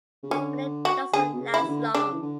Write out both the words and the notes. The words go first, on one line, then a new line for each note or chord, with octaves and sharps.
But it doesn't last long.
C#3
D3 C#4
F#4
D3 G#4
B2
C#3
E4
E3
D3
C#3 D4
E3
D3